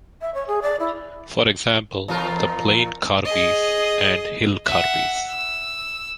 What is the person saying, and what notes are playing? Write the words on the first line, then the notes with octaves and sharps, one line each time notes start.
For example, The Plain Karbi's and Hill Karbi's.
E5
C#5
G#4
D5
E4
E2 F4 A#4
G#4 D#5
E5 F#5
E6